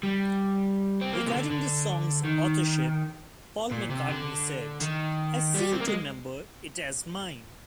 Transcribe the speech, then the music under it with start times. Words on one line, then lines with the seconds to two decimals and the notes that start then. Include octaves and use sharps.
Regarding the song's authorship, Paul McCartney said, I seem to remember it as mine.
0.03 G3
1.01 C4
1.13 A#3
1.26 C3
1.32 D3
1.50 D3
2.24 D#3
3.71 A#2
3.90 C3
4.08 D3
4.82 D#3
5.55 G3
5.73 C4
5.80 A#3
5.88 G#3